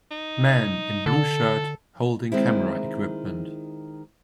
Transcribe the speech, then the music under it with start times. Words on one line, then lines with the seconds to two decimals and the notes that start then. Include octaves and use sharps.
Man in blue shirt holding camera equipment.
0.11 D#4
1.06 D3 A4
2.32 D#3 G#3 C4 E4